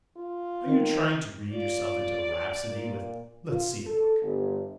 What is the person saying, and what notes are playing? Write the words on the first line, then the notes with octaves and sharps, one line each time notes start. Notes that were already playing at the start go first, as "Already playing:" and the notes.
"Are you trying to read yourself into a rhapsody with--let's see the book."
F4
D#3
F4 D5
A#2
F4
A4
G1